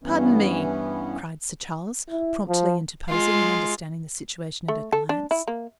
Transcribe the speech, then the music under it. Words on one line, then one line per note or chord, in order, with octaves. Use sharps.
"Pardon me," cried Sir Charles, promptly interposing and understanding the situation at a glance.
G2 E3 B3 C#4
E4
F3
G#3 F4
A3
A4
D4
E4
A#3